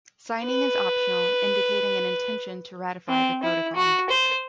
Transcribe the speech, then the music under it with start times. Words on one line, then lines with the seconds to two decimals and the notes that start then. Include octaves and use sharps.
Signing is optional, indicating an intention to ratify the Protocol.
0.45 B4
3.09 C4
3.43 E4
3.75 F#4
4.10 C5